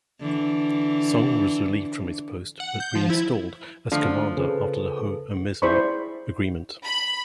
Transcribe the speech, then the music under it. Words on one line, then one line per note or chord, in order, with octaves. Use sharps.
Song was relieved from his post but reinstalled as commander after the Ho-Umezu agreement.
D3 E3
F#5
G6
F3
E4
D3 F3 A3 D4
C#3 G#4 A4 B4
E4 G#4 C5 D5 B5 C#6
B5